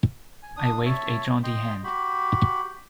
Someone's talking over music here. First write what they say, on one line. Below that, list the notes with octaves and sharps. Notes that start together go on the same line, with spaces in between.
I waved a jaunty hand.
G#5
D4 D#6
C#5 E5 A5
D#5 G5 C6
F#4 G4 B5